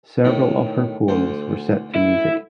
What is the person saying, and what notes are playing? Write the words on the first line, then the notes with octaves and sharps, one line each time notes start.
Several of her poems were set to music.
A2 D#3
D2 C5
E4